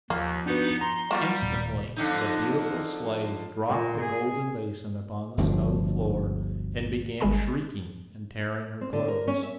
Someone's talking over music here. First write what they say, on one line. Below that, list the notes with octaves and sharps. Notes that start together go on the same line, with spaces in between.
Instantly the beautiful slave dropped the golden basin upon the stone floor, and began shrieking and tearing her clothes.
D#2 F3 A#3
B3 D4 D#4 F#4 B4
A#5 C6
G3 A#3 F4 F#4
D#1 A#2
F2 D3 D#4
A#2
G#4
G1 D2 D3 F3
G#1 G3 G#3 G#4 G#5 B5
C4
D3
A#4
C#4
E5